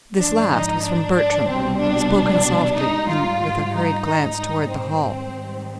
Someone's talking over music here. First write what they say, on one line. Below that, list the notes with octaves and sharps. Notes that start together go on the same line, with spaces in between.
This last was from Bertram, spoken softly, and with a hurried glance toward the hall.
G#2 F3 D4
D#4
D4
D4
C2 B2 G3 C4
D4
G#2 G3 D#4
F4
D#4
G#2 D#3 G3 D#4
D#4
C4
G#2 D#3 G3